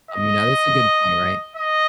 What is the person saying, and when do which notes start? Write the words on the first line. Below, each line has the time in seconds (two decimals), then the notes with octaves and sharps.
um, you know, that's a good point, right?
0.11 D#5
1.56 D#5